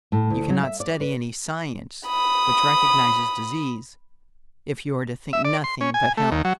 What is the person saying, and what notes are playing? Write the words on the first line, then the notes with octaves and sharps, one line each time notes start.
You cannot study any "science" which recognizes disease, if you are to think nothing but health.
A2
D2
F#3
E5
D5
B4
B5 D#6
E5
D5
C6
C#4
G#5
A3
D#2
F#3